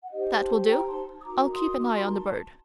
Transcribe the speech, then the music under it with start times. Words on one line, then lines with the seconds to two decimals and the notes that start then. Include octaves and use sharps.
"That will do; I'll keep an eye on the bird."
0.02 F#5
0.12 D#4 G4 C5 D#5
0.40 A5 C6
0.68 G5 A#5
0.87 A5 C6
1.20 D#6
1.24 D#4 F#4 A#4 A#5 D6
1.52 C6 D#6
1.81 D6
1.92 C6
2.03 A#5
2.14 A5 C6